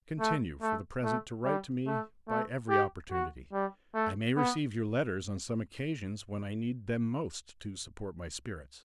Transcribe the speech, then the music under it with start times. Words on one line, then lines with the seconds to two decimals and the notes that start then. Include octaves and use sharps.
Continue for the present to write to me by every opportunity: I may receive your letters on some occasions when I need them most to support my spirits.
0.20 A3
0.61 A3
1.03 A3
1.44 G3
1.87 A3
2.28 A3
2.70 G4
3.11 F#4
3.53 G3
3.95 A3
4.37 B3